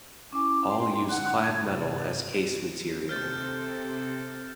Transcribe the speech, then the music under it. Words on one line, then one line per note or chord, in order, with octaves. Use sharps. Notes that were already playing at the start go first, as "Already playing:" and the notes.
All use clad metal as case material.
C#4 E4 G#5 D6
G5 C6
F#2 D3 F#5 F#6
G#6
G2 C3 F#4 D5
C3 C4 A4 F6 G6 A6